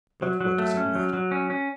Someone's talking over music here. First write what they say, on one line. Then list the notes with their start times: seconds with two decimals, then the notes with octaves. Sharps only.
But what does it matter?
0.22 F#3
0.41 F#3
0.58 A3
0.77 C#4
0.95 F#3
1.13 F#3
1.31 C#4
1.50 C#4